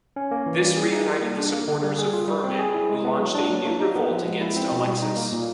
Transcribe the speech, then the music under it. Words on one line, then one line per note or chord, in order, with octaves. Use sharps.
This reunited the supporters of Firmin, who launched a new revolt against Alexis.
C#4
A#3
E3
G3
G#4
D#4
G3
A#3
D4
A#3
D3
G3
G#4
F4
G3
C4
G#4
E4
G#3
B3
F#3
D4
F#3
A#3
D#4
B3
F3
G#3
E4
C4
B2
G3
D#4
A#3
A#2